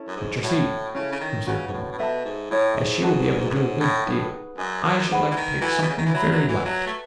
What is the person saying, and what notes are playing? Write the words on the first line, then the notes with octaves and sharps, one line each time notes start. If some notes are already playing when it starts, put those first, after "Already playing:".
'But, yer see,' observed Noah, 'as she will be able to do a good deal, I should like to take something very light.'
Already playing: C#4 E4 A4
F#2
G#2
A2 F#4 C#5 E5 A5
C#3 C#4 E4 A4
C#3
D#3
C#3 C#4 F#4 B4 F#5
G#2
A2
A2
B2 A4 E5 A5
G#2
A2 E4 A4 C#5 E5
G#2
F#4 B4 D#5 A5
F#2
G#2 A4 C#5 F#5
A2
A2 D#4 G#4 B4 F#5
F#2 G#4 D#5 G#5
F#2
G#2 B4 F#5 B5
E3
D#3
E3 F#4 A4 E5 G#5
B2
C#3
D#3
E3
F#3 B4 E5 B5
F#3
E3
F#3 B4 E5 A5
A3